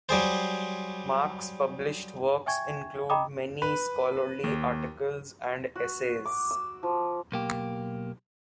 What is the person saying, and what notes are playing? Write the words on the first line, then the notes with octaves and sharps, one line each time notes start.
Marks published works include many scholarly articles and essays.
F#3 G3 G#4 C5
E5 G5 G#5 C#6 G#6
D#5 G5 A#5 B5 D6 D#6
B4
D#2
F#4
D6
E6
F3
B1 A#3 G4